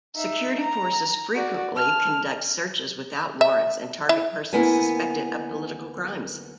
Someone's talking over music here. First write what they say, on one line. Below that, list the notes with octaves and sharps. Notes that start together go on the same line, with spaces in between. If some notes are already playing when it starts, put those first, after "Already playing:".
Security forces frequently conduct searches without warrants and target persons suspected of political crimes.
D#4 E5
A#5
F#4 D5
A5 F6
E5
E4 E5
D2 A#3 B3 E4 G#5